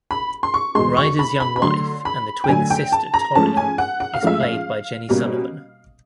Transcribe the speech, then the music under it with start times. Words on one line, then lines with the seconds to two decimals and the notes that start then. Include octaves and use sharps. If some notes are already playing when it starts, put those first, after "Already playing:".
Rider's young wife and the twins' sister, Torrie, is played by Jenny Sullivan.
0.11 B5
0.43 C6
0.54 C#6
0.75 E2 B2 G#3 C6
0.97 C#6
1.19 B5
1.40 B5
1.56 B5
1.62 D3 F#3 A3 C6
2.05 B5
2.44 G5
2.49 D3 F#3 A3 G#5
2.70 G5
2.92 A5
3.14 A#5
3.35 G#2 F3 A3 C#4 A5
3.57 G#5
3.78 F#5
4.00 F#5
4.14 F5
4.22 G#2 F3 A3 C#4 E5
4.40 F5
5.09 B2 G3 A#3 C#4